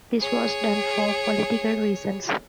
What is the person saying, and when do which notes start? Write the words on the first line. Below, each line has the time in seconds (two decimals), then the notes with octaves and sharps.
This was done for political reasons.
0.20 G#4 C#5